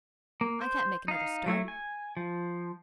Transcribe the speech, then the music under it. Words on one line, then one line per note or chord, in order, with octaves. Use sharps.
I can't make another start.
A#3
C5
D#4 F5
F#3 A3 E4
G#5
F3